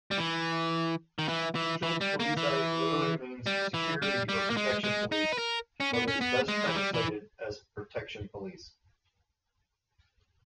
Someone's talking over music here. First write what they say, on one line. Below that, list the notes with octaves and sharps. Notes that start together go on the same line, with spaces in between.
"Schutzpolizei" literally means security or protection police but is best translated as Protection police.
G3
E3
D#3
E3
E3
E3
G3
A#3
E3
G3
E3
G3
G3
A#3
G#3
G#3
D#4
B4
A#4
C#4
B3
C#4
B3
G#3
E3
G3
E3